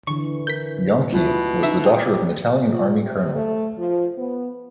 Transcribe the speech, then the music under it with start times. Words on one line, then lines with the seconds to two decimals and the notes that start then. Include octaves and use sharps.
Bianchi was the daughter of an Italian Army colonel.
0.07 D3 E3 C#6
0.47 A#4 G6 B6
1.13 D2 B2 B3 E4 F4
1.63 C#3 D#4 E5
1.85 G4 G5 D#6
2.71 F4
3.03 C3
3.35 A3
3.78 F3
4.17 B3